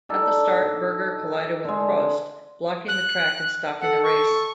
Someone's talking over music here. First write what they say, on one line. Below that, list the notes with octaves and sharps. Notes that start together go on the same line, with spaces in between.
At the start, Berger collided with Prost, blocking the track and stopping the race.
D4 D#4 A4
D3 G#3
F#6
A4 F#5
C#6